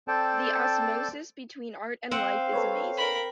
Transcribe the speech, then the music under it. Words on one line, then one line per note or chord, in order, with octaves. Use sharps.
The osmosis between art and life is amazing.
C4 A4 C5 D5 G5 A5
C4 F5 F#5
A4 B4 C#5
A#4 B5